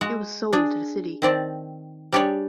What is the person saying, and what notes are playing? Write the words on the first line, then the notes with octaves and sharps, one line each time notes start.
It was sold to the city.
G#3 F#4
D4 G#4
D#3 C4 D5 A5
G3 D4 G4 G#4 C#5 D5